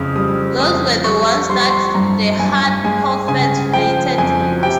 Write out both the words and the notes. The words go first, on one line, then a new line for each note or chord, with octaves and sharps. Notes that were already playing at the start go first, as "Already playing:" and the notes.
Those were the ones that the hard-core fans related to most.
Already playing: F2 C#3 D#6 F6
G3 D#6
F2 D#6
G3 C#6
G3 C6
C#6
C6
G2 A#5
G2 G#5
G#3 G#5
C#3 G#5
F3 G5
F2 G#5
C3 G5